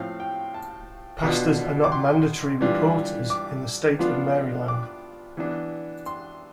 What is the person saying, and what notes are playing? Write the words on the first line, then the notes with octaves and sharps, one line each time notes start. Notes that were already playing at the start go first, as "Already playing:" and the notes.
Pastors are not mandatory reporters in the State of Maryland.
Already playing: A2 F3 C4 F5
G5
A5
B2 B3 D4 F4
D6
C6
E3 G3 D4 F4
D6
F3 B3 D4 F4
D6
E3 B3 D4
C6